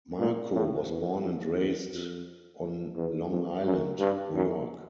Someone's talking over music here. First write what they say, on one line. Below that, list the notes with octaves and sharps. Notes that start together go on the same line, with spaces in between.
Marco was born and raised on Long Island, New York.
A#2
A2
E2
F2
E2
F2
E2
F2
F#2
G2
F#2